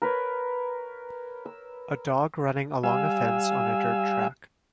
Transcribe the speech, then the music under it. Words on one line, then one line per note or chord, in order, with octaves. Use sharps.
A dog running along a fence on a dirt track.
A#4 B4 C#5
E6
G3 F5 G#5 E6